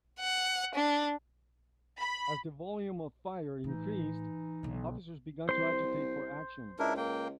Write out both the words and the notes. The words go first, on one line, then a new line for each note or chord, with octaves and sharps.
As the volume of fire increased, officers began to agitate for action.
F#5
D4
B5
A2 E3 D#4
B1 D3
C2 C5 C6
C#2 D4 E4 A#4
A#3 G5